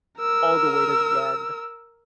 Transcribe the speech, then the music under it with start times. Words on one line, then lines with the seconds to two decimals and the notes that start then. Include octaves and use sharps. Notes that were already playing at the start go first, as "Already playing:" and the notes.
all the way to the end,
0.19 A#4 E6